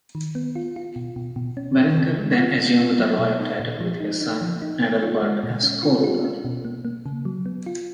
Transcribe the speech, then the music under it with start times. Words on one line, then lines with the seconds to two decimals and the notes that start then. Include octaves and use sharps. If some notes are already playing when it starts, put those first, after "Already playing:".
Berengar then assumed the royal title with his son Adalbert as co-ruler.
0.15 D#3
0.35 B3
0.56 F4
0.76 F4
0.96 B2
1.16 B2
1.36 B2
1.57 C#4
1.77 C#4
1.98 C#3
2.19 G#3
2.38 F4
2.58 B3
2.79 F4
2.99 F#3
3.19 B2
3.40 D#4
3.60 A#2
3.80 F3
4.00 D#4
4.21 D#4
4.41 F3
4.62 D#4
4.81 B3
5.03 F4
5.23 G#3
5.43 A#2
5.63 C#4
5.83 F4
6.04 F4
6.25 C#4
6.45 B2
6.65 A#3
6.85 A#3
7.06 C#3
7.25 F#3
7.46 B3
7.66 F4